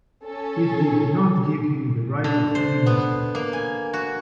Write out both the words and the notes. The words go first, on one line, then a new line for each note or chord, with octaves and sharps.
He did not give him the right of any Muslim.
C#4 A4
D3
C5
B3
A#3
G#5
F#4